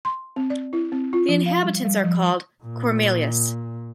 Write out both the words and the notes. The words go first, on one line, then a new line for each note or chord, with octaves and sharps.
The inhabitants are called "Cormeillais".
C6
C4
D5
E4
C4
F4
F3
F5
G3
G3
F3
A#2